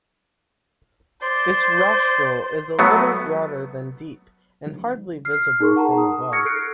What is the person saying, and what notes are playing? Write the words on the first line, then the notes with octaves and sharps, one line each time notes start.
Its rostral is a little broader than deep and hardly visible from above.
C5 D5 C6
F#3 A3 B3
F6 C7
D#4 G#4 A#4 C6 C#6
F#5 A5 A#5
D#6
C#6 E6 F6 G#6 A#6 C#7
A4 F#6 C7 D7